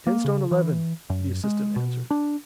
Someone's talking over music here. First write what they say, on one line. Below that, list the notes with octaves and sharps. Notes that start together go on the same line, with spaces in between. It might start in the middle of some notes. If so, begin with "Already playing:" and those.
"Ten stone eleven," the assistant answered.
A#3
C#3
E3
F#2
G#3
B2
D4